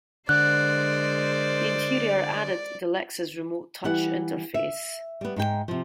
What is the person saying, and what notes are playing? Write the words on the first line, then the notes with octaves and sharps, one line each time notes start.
The interior added the Lexus Remote Touch interface.
D3 G#3 A#4 C5 D5 F#6
E3 G3 F#5
E5
G3 B3
G#2 D#4 G#4 G5
C3 F3